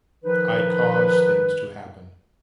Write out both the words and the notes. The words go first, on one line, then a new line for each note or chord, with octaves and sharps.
I cause things to happen.
D#3 F3 D#4 B4